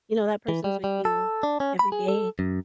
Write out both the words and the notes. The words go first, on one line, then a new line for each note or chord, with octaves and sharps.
you know, that person's with you every day
E3
G3
G3
A4
D4
C#4
B5
G#4
A4
F#2